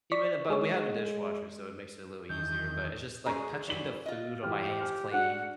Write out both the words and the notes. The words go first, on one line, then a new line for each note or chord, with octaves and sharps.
even eh, but we have a dishwasher, so it makes it a little easier, but it's just like touching the food on my hands clean.
D5 C#6 B6
G#3 G#4 C#5
E2 D#3 G6
G#3 C#4 G#4 A#5 C#6
E3 F#3 G3 D5 F#7
F4 D#5
E3 G4 F6
G#5 F6
D4 F#4 G#4 F#5